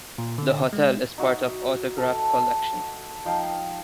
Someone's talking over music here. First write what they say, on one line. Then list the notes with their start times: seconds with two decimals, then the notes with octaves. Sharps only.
The hotel is part of Autograph Collection.
0.18 A#2
0.38 D3
0.73 G#3
1.18 D#4 F#4 E5
1.98 A4 A5
3.25 F3 D#4 F5 G5